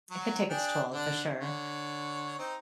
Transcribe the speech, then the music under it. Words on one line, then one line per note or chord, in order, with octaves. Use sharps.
it could take its toll for sure.
F#3 F#4
D4 G#4 G5
D3 D4
D3 C#5
C4 D#4